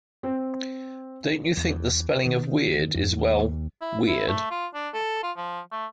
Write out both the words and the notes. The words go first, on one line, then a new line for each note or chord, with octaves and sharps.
Don't you think the spelling of weird is, well, weird?
C4
E2
D#3
F2
D#2
E4
E4
A3
F4
D4
A4
F4
F3
A3